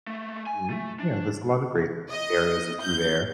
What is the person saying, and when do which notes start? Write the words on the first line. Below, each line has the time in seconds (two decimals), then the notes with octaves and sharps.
Mhm. Yeah, there's a lot of great areas i through there.
0.07 G#3 A3
0.47 G#5
0.70 A3
0.99 D4
2.09 D#5
2.81 G6